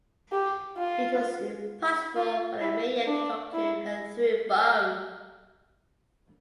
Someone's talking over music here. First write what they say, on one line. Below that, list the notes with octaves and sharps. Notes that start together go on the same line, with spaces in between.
It was impossible for the media to talk to her through phone.
G4
F4
F4
E4
D4
E4